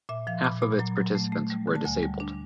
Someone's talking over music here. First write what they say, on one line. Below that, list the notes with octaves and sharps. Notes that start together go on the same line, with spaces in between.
Half of its participants were disabled.
A#2 E5
F3 F5
A#2 B5
A#2 B5
F#3 A#5
F#3
A3
A3
G3
D3
A5
D2 G#5
G3
D4